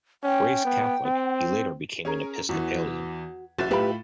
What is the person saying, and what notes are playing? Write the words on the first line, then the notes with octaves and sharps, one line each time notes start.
Raised Catholic, he later became an Episcopalian.
C#4 G5
B3
C4
C#4 G#4 A#4
E2 E3 F#4
F#1 F#4 E5 A6 E7
A2 F4 G4 B4 E5 B5